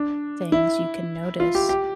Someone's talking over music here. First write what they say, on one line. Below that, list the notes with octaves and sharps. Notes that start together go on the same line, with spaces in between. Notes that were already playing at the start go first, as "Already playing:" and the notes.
things, you can notice
Already playing: D4
E4
F4
G4
G4